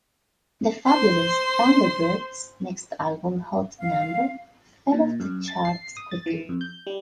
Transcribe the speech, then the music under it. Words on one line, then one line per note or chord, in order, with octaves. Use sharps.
The Fabulous Thunderbirds' next album, "Hot Number", fell off the charts quickly.
C5 C6
F5
A#2
F#2
A6
C7
D#6
A6
E3
F2
G6
G3